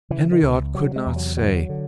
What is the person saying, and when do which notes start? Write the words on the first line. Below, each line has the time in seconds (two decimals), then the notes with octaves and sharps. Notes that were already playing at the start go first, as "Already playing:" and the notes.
Henriot could not say.
0.10 C#3 E3
0.32 D#3
0.43 C#2
0.74 C3 F#3
0.96 G#3
1.06 E2
1.16 F#3
1.37 D3 F#3
1.69 D3